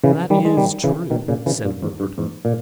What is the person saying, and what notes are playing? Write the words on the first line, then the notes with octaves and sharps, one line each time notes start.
"That is true," said Ward.
C#3 E3
D#3 G3
G#3
D#3 G3
C#3 E3
B2 D#3
A#2 C#3
C#3 E3
G2 A#2
E2 G#2
G2
E2 G#2
A#2